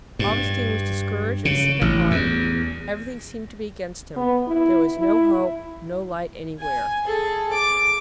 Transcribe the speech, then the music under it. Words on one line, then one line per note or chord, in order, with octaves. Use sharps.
Augustine was discouraged and sick at heart; everything seemed to be against him; there was no hope, no light anywhere.
G2
C#3
A1
E2
B3
E4
E4
G#5
G#4 A4
D6